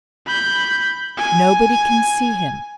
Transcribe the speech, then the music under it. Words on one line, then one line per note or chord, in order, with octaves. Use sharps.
Nobody can see him.
B5 G6
G#5